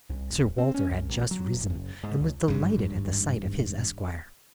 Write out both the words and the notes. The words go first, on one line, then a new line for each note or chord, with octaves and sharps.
Sir Walter had just risen, and was delighted at the sight of his esquire.
C2
D#1
C4
C#4
C2
A1
F#3
F1
F#1
G#2
C#2
G#1 G2